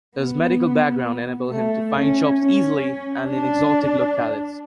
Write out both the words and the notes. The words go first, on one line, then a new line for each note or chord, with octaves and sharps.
His medical background enabled him to find jobs easily and in exotic locales.
B3
A3
C#4
C#4
D4